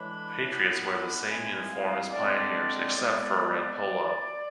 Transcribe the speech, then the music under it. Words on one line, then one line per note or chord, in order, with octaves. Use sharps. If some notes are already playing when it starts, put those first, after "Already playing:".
Patriots wear the same uniform as Pioneers, except for a red polo.
Already playing: A2 E3 G#3 D4 B5
E3 B3 D4
E3 G#3 C4 G#5
F5
D3 G#3 C4 D5
A2 G#3 B3 D5